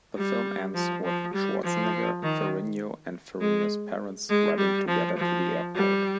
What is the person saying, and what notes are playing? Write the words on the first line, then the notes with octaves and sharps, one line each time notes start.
The film ends with Schwarzenegger, Ferrigno, and Ferrigno's parents riding together to the airport.
G3
F3
F3
G3
F3
D#3
G#3
G#3
G3
F3
F3
G3